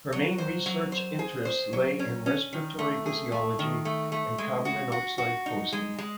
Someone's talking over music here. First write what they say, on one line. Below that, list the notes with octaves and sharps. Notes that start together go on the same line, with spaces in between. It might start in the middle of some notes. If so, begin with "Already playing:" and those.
Her main research interests lay in respiratory physiology and carbon monoxide poisoning.
F#3
C5
F#3
C5
G#4
C5
F#3
C#4
C#4
D#3
A3
G#4
A3
D#3
A3
A3
G#3
F#4
F#4
F#4
D#4
G#3
G#3